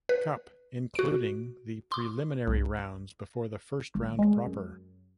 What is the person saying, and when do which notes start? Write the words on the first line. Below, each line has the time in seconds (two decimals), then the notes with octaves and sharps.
Cup, including the preliminary rounds before the First Round Proper.
0.09 B4
0.95 F#4 D7
1.92 C6 D6
2.47 C2
3.95 G#1
4.19 G#3
4.46 F#2